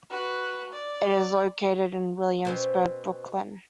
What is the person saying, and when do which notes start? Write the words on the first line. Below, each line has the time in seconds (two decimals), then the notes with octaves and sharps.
It is located in Williamsburg, Brooklyn.
0.11 F#4 B4
0.73 D5
2.45 B2 C4 C#4